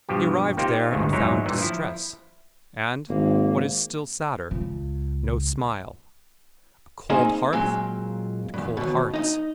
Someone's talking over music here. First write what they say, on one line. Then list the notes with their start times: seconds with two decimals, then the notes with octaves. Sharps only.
He arrived there and found distress, and, what is still sadder, no smile; a cold hearth and cold hearts.
0.09 G2 B2 F3 G4
0.57 A#3 C4 D#4 F4 G4
0.92 G1 D2 G#2 B2 D#3
1.13 E2 G#2 F#3 D#4 E4 C#5
1.46 G2 A#2 E3
1.58 F3 E4
3.09 G#1 A#3
4.51 C#2
7.10 A#3 C4 D#4 G#4 D#5
7.53 A#2 F#3 G#3 C4
8.54 E2 G2
8.77 D#2 B2
9.14 D#4 D#5